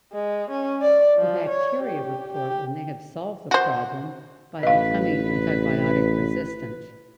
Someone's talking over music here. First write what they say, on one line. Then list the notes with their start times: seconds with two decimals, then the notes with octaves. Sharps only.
The bacteria report when they have solved the problem by becoming antibiotic resistant.
0.12 G#3
0.51 C#4
0.82 D5
1.18 F3
1.49 C#5
1.83 G4
2.32 G4
3.51 F#4 C5
4.63 A1 B4 D#5 F5